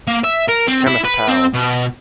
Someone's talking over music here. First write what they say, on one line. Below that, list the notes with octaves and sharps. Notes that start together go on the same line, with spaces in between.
Kenneth Powell.
A#3
E5
A#4
C4
E4
B4
C4
B2